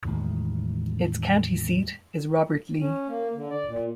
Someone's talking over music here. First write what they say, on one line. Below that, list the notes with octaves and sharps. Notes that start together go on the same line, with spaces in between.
Its county seat is Robert Lee.
E2 A2 D#3 G#3
C#4
A#3
D3
D5
A#2